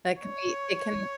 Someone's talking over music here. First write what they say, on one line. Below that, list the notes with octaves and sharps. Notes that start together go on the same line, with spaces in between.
That can it can
C#5